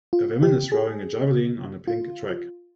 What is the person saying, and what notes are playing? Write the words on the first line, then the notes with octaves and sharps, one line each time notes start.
A woman is throwing a javelin on a pink track.
F4
G4
G#4
F4